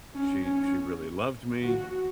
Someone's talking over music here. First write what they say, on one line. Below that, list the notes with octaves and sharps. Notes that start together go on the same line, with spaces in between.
she she really loved me,
C#4
C#4
F#4